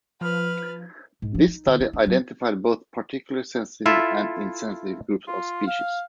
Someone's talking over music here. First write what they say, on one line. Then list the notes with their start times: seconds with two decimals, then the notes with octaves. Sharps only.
This study identified both particularly sensitive and insensitive groups of species.
0.21 F3 B4 F6
1.22 G#2
1.35 F3
1.47 D#4
1.66 D3
1.80 E4
1.93 D4
2.06 F#3
3.86 E4 F4 A4 E5
5.27 F4
5.67 F5